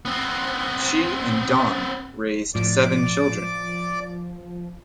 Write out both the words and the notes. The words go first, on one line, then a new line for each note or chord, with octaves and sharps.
She and Don raised seven children.
B3 C4
A2 F3 D5 D6